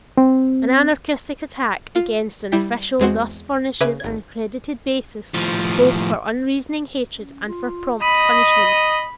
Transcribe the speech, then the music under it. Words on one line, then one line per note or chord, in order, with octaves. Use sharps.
An anarchistic attack against an official thus furnishes an accredited basis both for unreasoning hatred and for prompt punishment.
C4
F4
G3 E4 G5 B6
E2 G#3 C4 F#4
C#3 B4 E5 D6 G#6 D#7
G#1 G#6
A2 F3
C#4
F4
D#5 B5 D#6